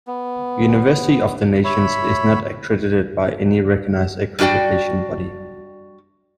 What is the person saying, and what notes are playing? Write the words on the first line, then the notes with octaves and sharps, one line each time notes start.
University of the Nations is not accredited by any recognized accreditation body.
B3
C#5 E5 B5
G3 D4 F#4 D5 G5